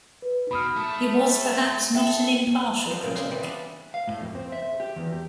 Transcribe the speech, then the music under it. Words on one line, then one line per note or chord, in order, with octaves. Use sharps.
He was perhaps not an impartial critic.
B4
B2 B5 D#6 F6
A3 A4
A4 E5 G5
F3 B3 C4
A#2 C#3 D#5
A#2 C#3 B3 C4 F5
E3 G3
B3 D4 F#4 E5 F5 A5
F5
A2
F2
C4
E5
G4
E2
G4